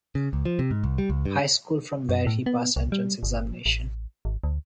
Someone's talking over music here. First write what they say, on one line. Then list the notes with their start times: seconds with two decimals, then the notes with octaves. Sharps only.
High School from where he passed Entrance examination.
0.15 C#3
0.33 C#2
0.45 F3
0.59 C3
0.71 G#2
0.84 C2
0.98 G3
1.10 C#2
1.26 G2
2.09 F#2
2.27 A2
2.46 B3
2.76 C2
2.92 G3
3.23 G1
3.66 A1
4.25 G#1
4.44 D2